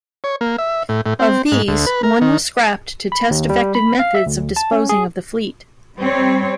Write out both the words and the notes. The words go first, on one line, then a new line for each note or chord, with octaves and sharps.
Of these, one was scrapped to test effective methods of disposing of the fleet.
C#5
A#3
E5
A2
A2
C4
G#2
D2
B4
A#4
D#3
B5
D#2
G3
B5
F5
E5
D2
A5
C#4
G#4
G3 C4 C#5